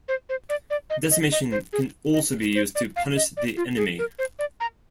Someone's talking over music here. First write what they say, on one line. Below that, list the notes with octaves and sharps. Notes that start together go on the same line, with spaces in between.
Decimation can be also used to punish the enemy.
C5
C5
D5
D5
D#5
D#5
D#5
C5
G#4
D#5
C5
D5
F5
D#5
D5
F4
G#4
A#4
C5
D5
A#5